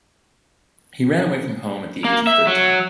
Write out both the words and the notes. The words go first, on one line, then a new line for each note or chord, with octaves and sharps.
He ran away from home at the age of thirteen.
A#3
E5
F#3